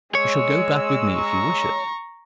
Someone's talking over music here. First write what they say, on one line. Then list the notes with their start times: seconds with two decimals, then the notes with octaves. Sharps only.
"You shall go back with me if you wish it."
0.15 G#3 C#5 E6
1.17 A#5 C#6